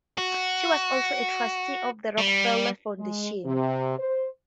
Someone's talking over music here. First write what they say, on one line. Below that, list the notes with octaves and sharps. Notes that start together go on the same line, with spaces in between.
She was also a trustee of the Rockefeller Foundation.
F#4
G3
G#3
C3
C5